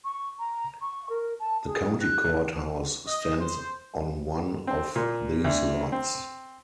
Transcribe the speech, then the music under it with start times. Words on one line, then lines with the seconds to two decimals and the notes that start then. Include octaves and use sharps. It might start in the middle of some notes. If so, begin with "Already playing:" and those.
The county court house stands on one of these lots.
0.04 C#6
0.39 A#5
0.81 C#6
1.09 A#4
1.39 A5
1.66 G#4
2.00 F#6
3.08 D#5
3.39 C5
4.67 C4
4.96 A#2
5.44 D2
5.92 C4